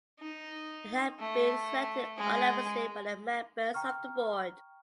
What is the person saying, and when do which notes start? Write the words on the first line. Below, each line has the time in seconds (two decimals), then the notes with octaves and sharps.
He had been selected unanimously by the members of the board.
0.20 D#4
1.19 A3
2.17 G#3 G#4
3.74 G5 A#5 C#6 F6